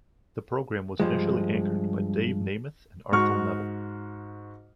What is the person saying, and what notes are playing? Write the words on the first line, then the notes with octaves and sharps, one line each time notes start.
The program was initially anchored by Dave Nemeth and Arthel Neville.
G2 F3 G#3
G#2 F#4 C#6 F6